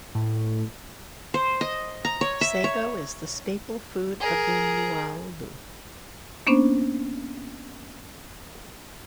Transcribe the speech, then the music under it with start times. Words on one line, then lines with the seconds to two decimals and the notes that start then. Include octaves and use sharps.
Sago is the staple food of the Nuaulu.
0.15 A2
1.34 C5
1.61 D#5
2.05 A#5
2.21 C#5
2.41 E5
2.64 C#5
4.20 G#4 A#4
6.47 A#3 B3 C#4 D4 C5